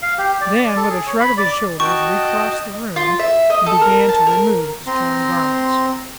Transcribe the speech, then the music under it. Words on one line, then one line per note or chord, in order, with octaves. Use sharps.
Then, with a shrug of his shoulders, recrossed the room, and began to remove his torn garments.
F5
G4
D5
D5
A4
G#4
C#5
B5
D5
F#4 D#5 G5 A5 C#6
F4
E5
D#5
A4
A#4
A5
A#4
C4 A#5 C6